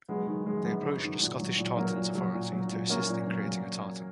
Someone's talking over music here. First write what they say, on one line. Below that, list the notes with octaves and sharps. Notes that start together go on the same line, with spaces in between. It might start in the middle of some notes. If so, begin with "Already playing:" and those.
They approached the Scottish Tartans Authority to assist in creating a tartan.
F#3 G#3 B3
D#3 G#3
F#2 G#3
F#2 G#3 B3
F#3
D#3
A#2
F#3
A#2
F#3 A#3
A#2
F#3
A#2
F#3
A#2
F#3 A#3 C#4
A#2
F#3
F#3